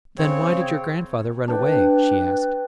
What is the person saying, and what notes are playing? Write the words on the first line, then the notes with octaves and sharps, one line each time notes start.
"Then why did your grandfather run away?" she asked.
C#3 C4 C#5
D4 B4 G5